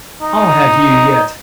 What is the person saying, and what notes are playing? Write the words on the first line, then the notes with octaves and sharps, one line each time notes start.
"I'll have you yet."
D#4